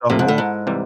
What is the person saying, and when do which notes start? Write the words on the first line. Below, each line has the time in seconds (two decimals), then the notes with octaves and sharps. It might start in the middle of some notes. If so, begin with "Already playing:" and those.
the whole
0.10 F2 A2 C3 F3 A#3
0.19 G#2
0.28 A2
0.38 G#2
0.67 C3 E3 G3